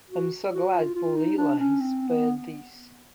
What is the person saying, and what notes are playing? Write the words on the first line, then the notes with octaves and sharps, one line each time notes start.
I am so glad poor Lyla is spared this.
F#4
F#4
F4
F4
D#4
D4
C#4
C4
B3